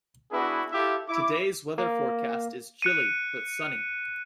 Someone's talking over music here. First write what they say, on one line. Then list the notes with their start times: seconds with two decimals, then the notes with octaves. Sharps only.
Today's weather forecast is chilly, but sunny.
0.32 B3 D4 E4 F#4 G#4 B4
0.72 E4 F4 G4 A4 E5
1.09 E4 D6
1.78 A#3
2.82 F#6 C#7 D#7